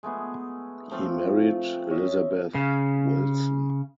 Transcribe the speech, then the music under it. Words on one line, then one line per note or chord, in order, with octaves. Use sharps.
He married Elizabeth Wilson.
G#3 A3 B3 G#4
F3 A3 C4 F4
C#5 D#5 E5
C#3